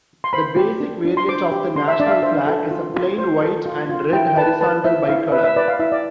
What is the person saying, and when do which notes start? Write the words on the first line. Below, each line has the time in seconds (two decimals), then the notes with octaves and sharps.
The basic variant of the national flag is a plain white-and-red horizontal bicolor.
0.24 C6
0.33 C5 B5
0.56 G4
0.80 D4
1.05 D4
1.17 C6
1.29 C5 D6
1.52 G4
1.76 D4 C6
1.88 E5
2.00 D4 D5
2.07 F5
2.11 E5
2.23 C5 E5
2.47 A4
2.71 F4
2.94 F4
3.18 C5
3.42 A4
3.66 F4
3.90 F4
4.13 E4 G5
4.27 G5
4.37 B4 A5
4.61 B4 A5
4.84 E4 E5
5.08 E4 F5
5.32 B4 E5
5.44 E5
5.56 B4 D5
5.68 F5
5.79 E4 E5
5.92 D5